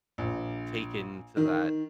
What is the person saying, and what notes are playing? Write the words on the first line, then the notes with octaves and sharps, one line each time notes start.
take into that
A#1
D#3